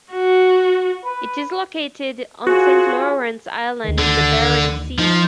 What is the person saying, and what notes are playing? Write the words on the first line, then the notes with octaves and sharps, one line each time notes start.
It is located on Saint Lawrence Island in the Bering Sea.
F#4
B4
F4 F#4 G#4 C5
D2 D#3
D3
F3 D#4